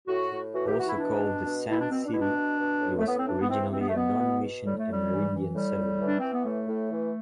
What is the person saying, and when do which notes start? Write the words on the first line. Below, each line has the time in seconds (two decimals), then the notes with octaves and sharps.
Also called "The Sand City", it was originally a non-Mission Amerindian settlement.
0.07 A2 F#4
0.31 A2
0.53 E3 F#4
0.66 G4
0.76 E3 F#4
0.88 E4
0.99 B2 D4
1.22 B2
1.45 B2
1.68 B2 E4
1.80 D4
1.90 B2 C4
2.05 D4
2.13 B2 E4
2.20 D4
2.36 B2
2.58 B2
2.81 A2
2.99 A3
3.04 A2 B3
3.18 C4
3.26 E3 D4
3.41 B3
3.49 E3 C4
3.72 B2 C4
3.81 B3
3.88 A3
3.94 B2 B3
4.18 B2
4.40 B2
4.63 A2 G3
4.77 A3
4.87 A2 G3
5.09 E3
5.32 E3
5.54 A2 G3
5.77 A2
6.00 E3
6.06 D4
6.19 E3 C4
6.33 B3
6.45 A2 A3
6.68 A2
6.91 E3